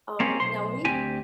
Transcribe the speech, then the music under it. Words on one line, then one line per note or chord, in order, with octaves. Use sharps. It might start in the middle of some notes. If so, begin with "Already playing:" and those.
um, now we t
A#3 C4 C#4 G#4
B1 C5 C6
D2 C4 G4 G#5